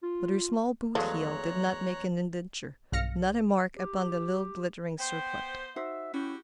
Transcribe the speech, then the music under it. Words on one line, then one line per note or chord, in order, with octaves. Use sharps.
But her small boot heel did not make an indenture, not a mark upon the little glittering circlet.
F4
E2 F3 F#3 G#3 A3 C#5 A#5 F#6
B1 G2 F5 F6 A#6 C#7
G4
B3 C5 G5
D#4 F#4 C5 E5
C#4 E4 F#4 G4